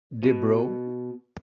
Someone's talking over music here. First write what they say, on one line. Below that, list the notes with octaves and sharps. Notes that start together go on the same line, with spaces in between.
The Bro.
B2